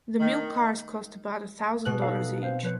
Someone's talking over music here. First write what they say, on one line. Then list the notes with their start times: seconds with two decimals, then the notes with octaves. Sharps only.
The milk cars cost about a thousand dollars each.
0.20 D#3
1.85 B2 F#6
2.02 D#4 A4 F5
2.43 C4 C5 F5
2.63 F3 B4 C#5